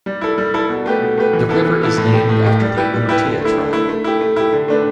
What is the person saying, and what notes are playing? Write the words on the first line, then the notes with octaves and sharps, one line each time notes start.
The river is named after the Umatilla Tribe.
G3
E4 A4
G3
E4 A4
B2
A3 G4 B4
B2
A3 G4 B4
E3
B3 E4 A4
E3
B3 E4 A4
A2
A3 G4
A2
A3 G4
G3
E4 G4 B4
G3
E4 G4 B4
D3
A3 E4
D3
A3 E4
A3
E4 G4
A3
E4 G4
D3
A3 D4 B4